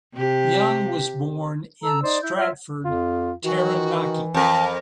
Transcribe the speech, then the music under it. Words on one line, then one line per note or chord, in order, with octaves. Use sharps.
Young was born in Stratford, Taranaki.
C3 G4
A4 A5 A#5 E6
D#4 C5 D5
E4 G6
F4 C#5 E5 F6
F2 F4
D#3 E3 F#4
F2 A#4 A5